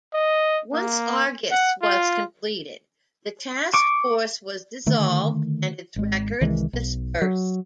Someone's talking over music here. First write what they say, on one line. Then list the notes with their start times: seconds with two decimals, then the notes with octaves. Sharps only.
Once "Argus" was completed, the task force was dissolved, and its records dispersed.
0.14 D#5
0.73 A#3
1.51 F#5
1.82 F4
3.74 C#6 D6
4.86 D3 D#3 A3
5.96 G#1 G#3
6.41 C2 D#3 E3 G#3
6.73 B1
7.22 F#3